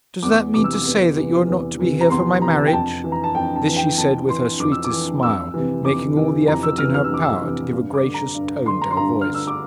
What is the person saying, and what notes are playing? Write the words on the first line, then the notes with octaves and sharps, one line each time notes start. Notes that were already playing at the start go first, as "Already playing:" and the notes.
'Does that mean to say that you are not to be here for my marriage?' This she said with her sweetest smile, making all the effort in her power to give a gracious tone to her voice.
E2 D6
C3 E3 D6
E6
D6
E2
C3 E3
E2
C3 E3
A#5
E2 C6
C3 E3 A#5
G5
F2 A5
E3
A#5
A5
F2 G5
A5
E3
G5
F2 A5
E3 C6
F2 D6
E6
D6
E3
F2 E6
C3 E3
F2 D6
C3 E3
F2 A#5
E6
C3 E3 F6
F6
E6
F2 D6
E6
C3 E3
G2
D6
D3
A#5
G2
D3 C6
A#5
C6
G2 A#5
F6
D3
E6
D6